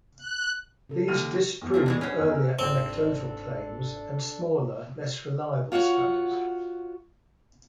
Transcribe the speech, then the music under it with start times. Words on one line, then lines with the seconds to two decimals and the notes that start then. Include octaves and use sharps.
These disprove earlier anecdotal claims and smaller, less reliable studies.
0.18 F#6
0.89 C#3 A4
1.08 D#2 F6 D#7
1.61 E2
1.74 G2 A#2 A3
1.86 A2 E3 G#3 D5
2.01 B2 C#4 D4
2.18 E2 G#5 E6 F#6
2.32 A#4
2.59 G1 D2 G#2 C4 D4 A4 D5
5.72 F4 F#4 C#5 F#5